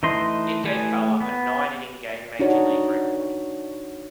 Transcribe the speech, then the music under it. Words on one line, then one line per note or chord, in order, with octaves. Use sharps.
It gave Feller a nine-inning game major league record.
E3 A3 D#4 D#5 C6
E3 A3 G#4 G#5
B3
D4 D#4 F#4 C#5